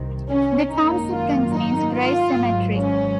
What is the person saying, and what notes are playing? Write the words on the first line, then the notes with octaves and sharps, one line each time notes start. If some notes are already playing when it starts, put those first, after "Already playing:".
The township contains Grace Cemetery.
Already playing: C2 C3 D#3
C#4
G#1 F#2 D#3 A#3 D#4
F4
D#4
F4
G#1 G#2 F#3
C#4